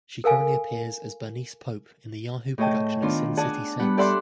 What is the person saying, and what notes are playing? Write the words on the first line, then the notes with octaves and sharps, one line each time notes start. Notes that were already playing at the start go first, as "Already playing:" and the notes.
She currently appears as Bernice Pope in the Yahoo production of "Sin City Saints".
A4 A#4 F5 G#5
A2 G#4 C#5 D#5 G5 A5
D#3 B3 D4 F4
G#4 D5 F#5 G#5 A5
G3 B3 F#5 B5
G4 A4 D5 E5 F#5 C6